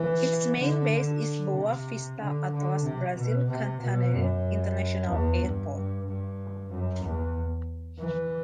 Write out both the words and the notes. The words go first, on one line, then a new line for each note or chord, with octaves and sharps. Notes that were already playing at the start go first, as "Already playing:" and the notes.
Its main base is Boa Vista-Atlas Brasil Cantanhede International Airport.
Already playing: E3
D3
D3
C3
D3
D3
C3
B2
C3
B2
F#2
E2
G2
G2
G2
F#2
E2
E3